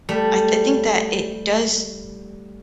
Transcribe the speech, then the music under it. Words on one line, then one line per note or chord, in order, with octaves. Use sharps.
I I think that it does
G3 A3